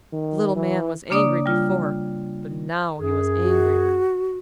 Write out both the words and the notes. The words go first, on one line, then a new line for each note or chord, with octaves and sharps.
The little man was angry before, but now he was angrier.
D#3
E3
C#3 A#3 D4 D5 D#6
G3 F4
F#2 G#4
F#4